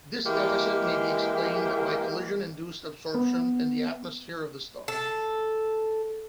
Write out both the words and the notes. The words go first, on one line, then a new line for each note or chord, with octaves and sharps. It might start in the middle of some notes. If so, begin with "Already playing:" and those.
This deficit may be explained by collision-induced absorption in the atmosphere of the star.
E3 G#3 A#3 G4
B3
A4